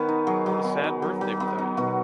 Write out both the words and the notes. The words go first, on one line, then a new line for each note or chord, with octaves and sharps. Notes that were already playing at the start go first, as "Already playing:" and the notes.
What a sad birthday without you!
Already playing: D#3 B3 B4 C#5 D#5 F#5 G#5
D#4
F#3 G#4
F#3
B3
D#4
F#3
F#3
B3
D#4
B2 F#4